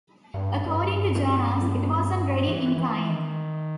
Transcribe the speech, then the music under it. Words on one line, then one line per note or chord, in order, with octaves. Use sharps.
According to Jonas, it wasn't ready in time.
G2
G2
E3
E3
D#3